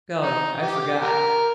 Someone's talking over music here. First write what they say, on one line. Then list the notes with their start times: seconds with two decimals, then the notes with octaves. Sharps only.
Golly, I forgot.
0.23 D#4
0.62 G4
1.01 G4 A#4